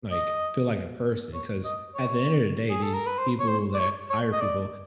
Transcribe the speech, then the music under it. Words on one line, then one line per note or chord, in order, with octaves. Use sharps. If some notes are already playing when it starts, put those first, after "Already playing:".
like, feel like a person, 'cause at the end of the day, these people that hire people,
D#5
C#5
D#5
C#5
G#4
A4
A#4
B4
C5
C#5
C5
D5
C#5
C#5
D#5
D5